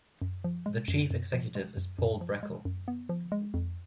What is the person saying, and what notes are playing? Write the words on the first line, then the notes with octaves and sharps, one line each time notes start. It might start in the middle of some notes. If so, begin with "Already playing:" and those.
The Chief Executive is Paul Breckell.
F#2
F3
G#3
F#2
F#2
F3
G#3
F#2
F#2
F3
G#3
F#2
B3
F3
G#3
F2